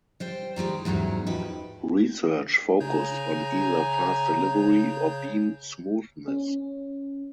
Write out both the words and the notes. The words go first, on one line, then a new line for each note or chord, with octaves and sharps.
Research focused on either fast delivery or beam smoothness.
G3 C5 G5
D#3 G3 G#3 G4
E2 G#2 F#3 G3 C#4
E2 F3 D#4 F#4 G4 B4
C#3 C#5 G#5 A#5 G6
C#4